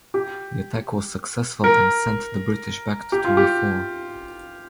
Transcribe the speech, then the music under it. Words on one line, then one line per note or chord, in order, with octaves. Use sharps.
The attack was successful and sent the British back to reform.
G4
A#4
G4
F4
G4